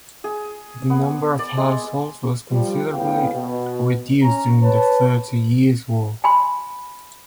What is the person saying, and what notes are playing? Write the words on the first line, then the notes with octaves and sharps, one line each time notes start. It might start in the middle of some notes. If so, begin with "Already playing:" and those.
The number of households was considerably reduced during the Thirty Years' War.
G#4
B3
D5
G#3
F3 G3
E2 A2 C#3 B3 F5 G5
B2
C#4 A#5
B4 C#5 A5
G#5 B5 C6